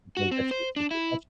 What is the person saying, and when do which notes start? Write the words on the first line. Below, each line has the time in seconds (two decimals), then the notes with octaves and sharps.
keep in touch you keep in touch
0.17 F#4
0.31 C4
0.51 C5
0.76 D4
0.91 E4